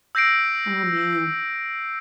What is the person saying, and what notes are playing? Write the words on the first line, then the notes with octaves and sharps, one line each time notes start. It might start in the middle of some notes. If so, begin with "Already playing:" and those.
Oh, man.
E6 G6 A#6 C7 D7